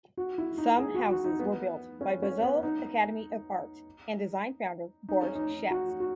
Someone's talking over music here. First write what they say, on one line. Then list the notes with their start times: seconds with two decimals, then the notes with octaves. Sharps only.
Some houses were built by Bezalel Academy of Art and Design founder Boris Schatz.
0.17 F#4
0.38 E4
0.58 D#4
0.78 G#4
0.94 F#4
1.09 F#4
1.24 D#4
1.39 B3
2.01 C#4
2.22 C#4
2.42 B3
2.63 D#4
5.09 D#4
5.22 C#4
5.35 D#4
5.71 F#4
6.00 F#4